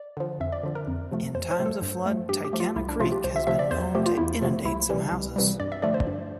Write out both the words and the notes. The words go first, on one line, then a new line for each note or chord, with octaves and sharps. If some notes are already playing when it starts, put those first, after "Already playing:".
In times of flood, Tycannah Creek has been known to inundate some houses.
Already playing: D5
D3 F3
F2 E5
D5
D3 F3
A#4
F2
C3 F3 A3
F2 C5
C5
C3 F3 A3
A4
G2
F3 A3
G2 G4
G4
F3 A3
F4
C2 E4
D4
C3 F3 A3 F4
G4
C2 C5
E5
C3 F3 A3 E5
D5
E2 C5
C3 F3 A3 G4
F4
E2 E4
C3 F3 A3
C2 E4
C3 E3 G3
C2
C3 E3 G3
G2 D5
E5
D3 F3 A3 D5
C5
G2